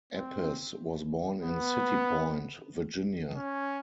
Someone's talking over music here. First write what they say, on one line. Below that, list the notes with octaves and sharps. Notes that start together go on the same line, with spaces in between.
Eppes was born in City Point, Virginia.
C4
B3
C#4